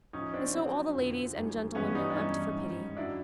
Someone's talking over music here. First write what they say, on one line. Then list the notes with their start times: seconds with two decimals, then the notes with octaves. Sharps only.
And so all the ladies and gentlewomen wept for pity.
0.13 A2 F3 C#4 D#4
0.34 C4 D4
0.53 B2 F#3 C4
0.95 F2 D3 F3
1.35 F#2 D#3 G3
1.75 G2 E3 G3 B3 C#4
1.95 C#4 D#4
2.10 D4
2.16 G2 E3 G3 C#4 D#4
2.57 G#2 D#3 G3
2.96 F#2 D#3 F#3 D4 E4